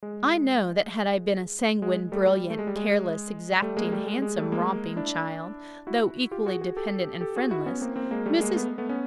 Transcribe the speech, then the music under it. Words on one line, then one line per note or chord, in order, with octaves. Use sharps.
I know that had I been a sanguine, brilliant, careless, exacting, handsome, romping child--though equally dependent and friendless--Mrs.
G#3
G#3
G3 A3
G3
A3
G#3
G3
G#3
G3 A3
G#3 A#3
G3 A3
G#3
G#3
G3 A3
G#3 A#3
D4 E4
E4 F#4
F4 G4
F#4 G#4
F#4 G#4
G4 A4
G4 A4
F#4 G#4
E4 F#4
B3 C#4
A#3 C4
A#3 C4
G#3 A#3
G3 A3
G#3 A#3
A3 B3
A3 B3
B3 C#4